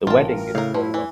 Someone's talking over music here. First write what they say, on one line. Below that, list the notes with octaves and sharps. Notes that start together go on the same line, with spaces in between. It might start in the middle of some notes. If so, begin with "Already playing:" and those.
The wedding is called off.
A1 F4 A#4 A5
A2 C#3 A#4 F5
F3 E4
E3